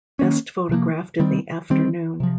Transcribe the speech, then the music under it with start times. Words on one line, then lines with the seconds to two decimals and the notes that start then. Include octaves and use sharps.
Best photographed in the afternoon.
0.19 D#3 A#3 C#4
0.69 C3 F3 A#3
1.19 D#3 G3 C4
1.70 D#3 G3 C4
2.20 C3 F3